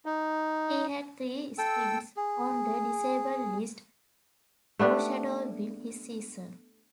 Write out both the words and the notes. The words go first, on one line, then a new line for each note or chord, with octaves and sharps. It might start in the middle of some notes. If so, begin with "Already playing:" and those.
He had three stints on the disabled list, foreshadowing his season.
D#4
A4 G5 E6
G#4
A3 B3 D4 G4